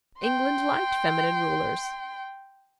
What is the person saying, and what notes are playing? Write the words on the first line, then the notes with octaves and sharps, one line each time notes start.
England liked feminine rulers.
G5 C6